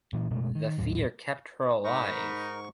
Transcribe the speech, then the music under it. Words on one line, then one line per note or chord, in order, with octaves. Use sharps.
The fear kept her alive.
A#2 E3
F#1 B2 G#3 A3
D#3
A#1 D#2 A2 F#3
G#2 D#4 A#4 B5 C#6